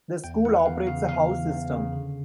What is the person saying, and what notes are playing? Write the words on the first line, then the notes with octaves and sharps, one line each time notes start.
The school operates a house system.
E2 G5
E3 F#5
E2 F5
C#3 F5
E2 F5
E3
E2
C#3
D3